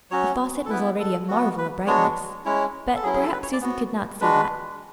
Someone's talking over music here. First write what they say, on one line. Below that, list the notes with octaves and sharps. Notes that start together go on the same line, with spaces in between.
The faucet was already a marvel of brightness; but perhaps Susan could not see that.
F#3 C#4 F#4 C#5
A4
B3 E4 B4
A4
B3 F#4
B4
G#3 B3 D4 F#4 C#5
G#3 C#4 E4 C#5
A4
F#3 C#4 E4 G#4
G#4
A4
B4
C#5
D5
B3 F#4
G#3 D4 F#4 B4